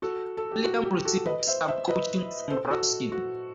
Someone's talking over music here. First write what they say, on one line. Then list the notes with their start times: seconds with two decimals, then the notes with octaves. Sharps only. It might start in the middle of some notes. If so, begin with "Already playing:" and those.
William received some coaching from Ruskin.
0.02 F#4 A4
0.37 A4
0.51 G4
0.64 F#4
0.85 G4
1.05 F#4 A4
1.26 B4 D#5
1.47 C5 E5
1.68 C5 E5
1.88 B4 D#5
2.50 A4 C5
2.70 F#4 A4
3.12 F#4